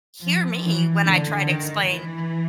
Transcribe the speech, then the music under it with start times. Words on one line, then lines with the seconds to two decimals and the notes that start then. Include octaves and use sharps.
hear me when I try to explain
0.23 F3
0.64 E3
1.05 D3
1.45 D#3
1.86 E3